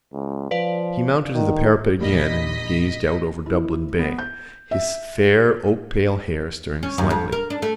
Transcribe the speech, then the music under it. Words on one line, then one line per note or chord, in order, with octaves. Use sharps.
He mounted to the parapet again and gazed out over Dublin bay, his fair oakpale hair stirring slightly.
C#2
F3 B4 D5 F5
D#3
A#1 G3 A#3 D#5 B6
E4
B3
G6
E5
C#4
F#2
F2
A#4
D4
A3